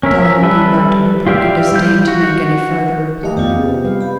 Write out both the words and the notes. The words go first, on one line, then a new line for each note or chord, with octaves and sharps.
Dolly had gone back to her book, and disdained to make any farther reply.
C#4 A#4 E5
G3 A4 B4 E5
F4 G4 D5 E5 F5
G3 F4 G6
F#4
A3 G4 D#5 F5
F2 B3 F4 G4 D5
C#3
C3
G3 B4 F5
G4 B5